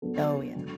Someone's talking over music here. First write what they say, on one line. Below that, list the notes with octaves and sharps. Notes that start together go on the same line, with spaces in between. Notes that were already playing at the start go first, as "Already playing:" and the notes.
Oh, yeah.
F#3 B3 D4 A4
D3 F#3